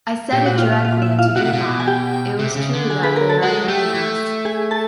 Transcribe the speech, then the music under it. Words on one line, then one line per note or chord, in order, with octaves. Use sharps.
I said it directly to do that, it was true that they are hanging us.
A#2 G4 G5
F#4 F#5
F4 F5
F4 F5
F4 F5
E4 E5
F4 F5
B2 F#4 F#5
C3
B2
G#5
G4 G5
C3
C#3
D3
G#4 G#5
B4 B5
A#4 A#5
A4 A5
G#3 F#4 F#5
A3 G4 G5
A3
G#4 G#5
A4 A5